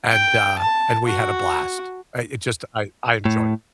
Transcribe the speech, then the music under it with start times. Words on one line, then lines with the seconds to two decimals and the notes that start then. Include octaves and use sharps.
and, uh, and we had a blast. Uh, it just I I enjoyed it.
0.11 G5
0.59 A5
1.06 F#4
3.25 A2